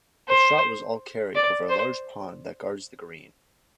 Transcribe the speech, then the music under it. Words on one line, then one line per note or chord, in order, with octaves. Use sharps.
The shot was all carry over a large pond that guards the green.
C5
D5
C5